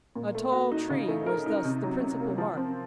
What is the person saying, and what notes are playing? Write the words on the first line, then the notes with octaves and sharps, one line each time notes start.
A tall tree was thus the principal mark.
A#2
A3
F#4
D#4
C#3
A3
A#4
D#4
C3
F#3
C#4
A#3
F3
C4